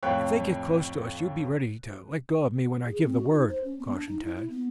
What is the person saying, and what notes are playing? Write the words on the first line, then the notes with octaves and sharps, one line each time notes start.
"If they get close to us, you be ready to let go of me when I give the word," cautioned Tad.
F2 A2 C#5 F5 G5 F#6
G#4
C4
F#4
D#4
C5
C#4
B3
D4
D#4
E4
E4
B3